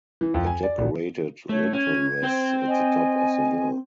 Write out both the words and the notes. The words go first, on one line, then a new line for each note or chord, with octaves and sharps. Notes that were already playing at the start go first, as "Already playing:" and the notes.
A decorated lintel rests at the top of the hill.
E3
F2
G#5
D5
A#1
A3 C#5
C#4 G#6
C4 C5 G5
D#5 G#5